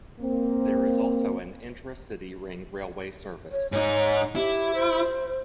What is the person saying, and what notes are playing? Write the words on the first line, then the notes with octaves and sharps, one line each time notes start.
There is also an intra-city ring railway service.
A#3 C4
C#5
G#2 D#4 C#5
E4 G4
C5